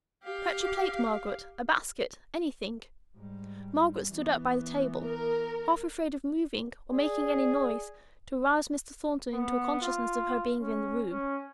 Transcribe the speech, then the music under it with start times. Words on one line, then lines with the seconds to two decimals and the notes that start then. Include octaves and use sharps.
'Fetch a plate, Margaret--a basket--anything.' Margaret stood up by the table, half afraid of moving or making any noise to arouse Mr. Thornton into a consciousness of her being in the room.
0.23 G4 F5
3.16 G#2 G3
4.11 E3 B3
5.03 A#4
6.93 G#4 D5
9.34 B3
9.82 F4
10.61 C#4
11.11 C#4